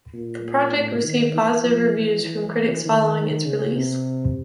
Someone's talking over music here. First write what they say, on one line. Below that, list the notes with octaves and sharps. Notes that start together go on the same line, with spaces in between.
The project received positive reviews from critics following its release.
A#2
A2
D#3
E3
F3
E3
E3
D#3
C#3
C3